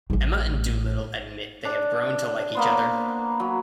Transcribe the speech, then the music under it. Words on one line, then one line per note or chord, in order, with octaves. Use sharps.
Emma and Dolittle admit they have grown to like each other.
A1 A2
D4
A#3 B3 C5
F#3